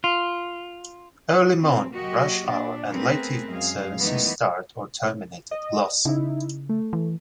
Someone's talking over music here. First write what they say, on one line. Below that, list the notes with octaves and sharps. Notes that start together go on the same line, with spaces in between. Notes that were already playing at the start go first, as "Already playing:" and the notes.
Early morning, rush hour and late evening services start or terminate at Glossop.
F4
C4
F#3 A#3 F#4 G4 D#5
A#2 D4
A3 B3 C4 G#4 A#4 B4
F#2 G#3 G#4 F5
D#3 E3 G#3 A3 B3 D#4
D#5
C#3 D#4 E4
A3
E3